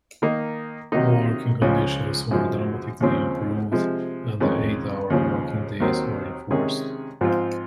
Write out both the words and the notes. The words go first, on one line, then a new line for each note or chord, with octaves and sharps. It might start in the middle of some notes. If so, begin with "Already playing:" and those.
Working conditions were dramatically improved and the eight-hour working days were enforced.
D#3 A#3 D#4
C3 D#3 F#3 A#3 D#4
C#2 C#3 F3 G#3
F#2 C#3 F3 G#3
D#2 C#3 F3 C4
C3 F3 G#3
F2 D#3 G#3 C#4
D#2 C#3 F3
D#2 D#3 F#3 C4
C3 D#3 G#3 C#4 G#4
G#2 F3 C4 F4